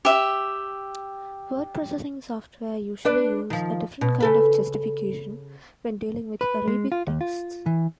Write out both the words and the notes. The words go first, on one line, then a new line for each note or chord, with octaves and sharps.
Word-processing software usually use a different kind of justification when dealing with Arabic texts.
G4 E5
D4 B4 D5
D#3 F3
B2
C#3 A4 B4
B4
G#3
F4
D#2
F4
E3